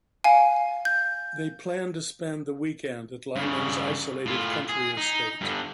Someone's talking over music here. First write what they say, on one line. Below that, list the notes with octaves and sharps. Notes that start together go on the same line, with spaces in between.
They plan to spend the weekend at Lyman's isolated country estate.
F5 G#5
G6
G2 C#3
A2 F4
G#4
D#4
G2 D3